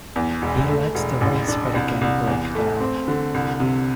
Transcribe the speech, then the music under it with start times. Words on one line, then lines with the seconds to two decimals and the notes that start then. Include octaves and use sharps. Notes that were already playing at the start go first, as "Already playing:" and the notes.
He led the race but again broke down.
0.16 E2
0.42 E1
0.69 A3
0.95 E1
1.21 A1
1.48 D4
1.74 C2
2.01 C2
2.27 E2
2.55 A3
2.80 C4
3.08 D3
3.34 C2
3.60 C3